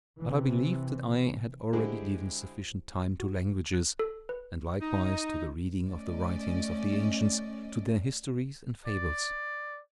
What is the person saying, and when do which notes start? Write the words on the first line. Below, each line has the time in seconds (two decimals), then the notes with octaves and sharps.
But I believed that I had already given sufficient time to languages, and likewise to the reading of the writings of the ancients, to their histories and fables.
0.19 C3 E3
1.73 D3 G#3 E4 G4 G#4 C5
3.20 F#4
3.74 F#6
3.99 A4
4.29 B4
4.81 D#4
5.92 A3 C#4 D5 D#5
8.86 D5